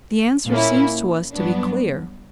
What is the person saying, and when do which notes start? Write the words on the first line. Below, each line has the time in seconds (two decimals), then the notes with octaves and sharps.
The answer seems to us to be clear.
0.49 A#2 A#3 C#4 E4
1.34 G2 F#3 B3 D4